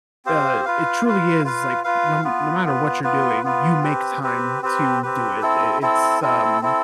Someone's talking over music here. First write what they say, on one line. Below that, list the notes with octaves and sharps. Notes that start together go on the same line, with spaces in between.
uh, it truly is, like, no m no matter what you're doing, you make time to do it, i it's, um,
C4 G4 C5 F5
F4 B4 F5
F4 B4 F5
F4 B4 F5
F4 B4 F5
B3 F4 B4
B3 F4 B4
B3 F4 B4
B3 F4 B4
C4 G4 B4
C4 G4 B4
C4 G4 B4
C4 G4 B4
C4 E4 A4
C4 E4 A4
C4 E4 A4
C4 E4 A4